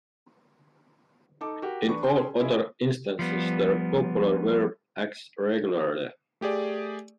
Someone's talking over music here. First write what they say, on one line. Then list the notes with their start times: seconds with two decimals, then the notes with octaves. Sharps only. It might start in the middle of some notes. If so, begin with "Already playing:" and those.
In all other instances the copular verb acts regularly.
1.41 D#4 A4 D6
1.62 F#4 G4 A#4
1.87 E2 D4 B4 C#6
2.03 C#4 G#4 A4 G5 C6
2.40 C#4 E4 F4 G#4 D#5
3.19 F3 G3 B3
6.41 A3 G4 G#4 D5